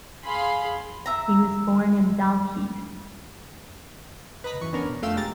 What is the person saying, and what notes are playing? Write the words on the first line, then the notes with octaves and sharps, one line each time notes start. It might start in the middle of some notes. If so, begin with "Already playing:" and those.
He was born in Dalkeith.
G#4 F5 B5 C6
E5 A#5
B4 D#5 A#5 B5
G#1 F#2 E3 C#6
B3 C#4 D4 A#4 C#5
B2
F2 A3 F4 F5 G5 E6
B2 G#3 G4 A#5 A6